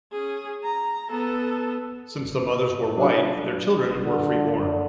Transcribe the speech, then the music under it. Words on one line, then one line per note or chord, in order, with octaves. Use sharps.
Since the mothers were white, their children were free born.
C#4 G#4
A#5
B3 A4
F#3 D4
D3